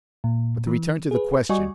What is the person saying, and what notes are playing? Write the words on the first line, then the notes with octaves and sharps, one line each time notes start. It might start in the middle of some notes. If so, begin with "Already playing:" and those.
But to return to the question.
A#2
E3
G#4 B4
G3 F#4 D5 D#5 G#5 C#6